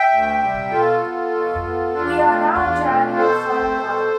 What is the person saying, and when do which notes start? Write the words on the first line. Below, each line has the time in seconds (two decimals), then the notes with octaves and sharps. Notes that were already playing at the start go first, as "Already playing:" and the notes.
We are now drowning in a flood of blood...
Already playing: E5 G5
0.10 D2
0.41 C3 G3
0.71 B2 F4 A4
1.02 B3
1.33 B2
1.64 B3
1.94 E2 D4 F4
2.25 B2 A3 C4
2.56 E2
2.86 B2 A3 C4
3.17 B2 A4 C5
3.48 A3 C4
3.79 B2